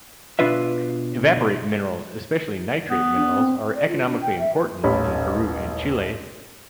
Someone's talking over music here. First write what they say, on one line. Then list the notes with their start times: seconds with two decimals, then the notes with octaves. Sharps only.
Evaporite minerals, especially nitrate minerals, are economically important in Peru and Chile.
0.39 B2 D4 F4 B4 E5
2.91 B3
3.16 D4
3.33 C4
3.75 D5
3.88 F4
4.06 D4
4.21 G5
4.38 E5
4.54 B4
4.83 D#1 A1 C#4 B5